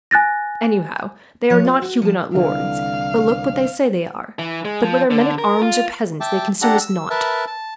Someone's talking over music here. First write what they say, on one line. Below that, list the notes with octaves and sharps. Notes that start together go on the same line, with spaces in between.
Anyhow they are not Huguenot lords, but look what they say they are; but whether men-at-arms, or peasants, they concern us not.
G#5 F#6 A6 A#6
F3 C#5
F4
F#4
F3 A5
C2 D3 E3 F5
E3
G#3
F3
D3
A#4
F4
E5 G5 A5 D6
D4 G4 A4 F#5 A#5
E6
A#4 B4 E5 A5
A5